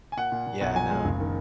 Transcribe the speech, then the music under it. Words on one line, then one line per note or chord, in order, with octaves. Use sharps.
Yeah, I know.
G#5
A#2 F#5
A#2
A#2
B1 F#5
F3 G#5
G#3
F#1
D#3